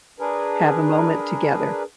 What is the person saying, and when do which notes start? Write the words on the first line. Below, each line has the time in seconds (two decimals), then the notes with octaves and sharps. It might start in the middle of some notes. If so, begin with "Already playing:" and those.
have a moment together.
0.20 D4 G#4 A#4 B4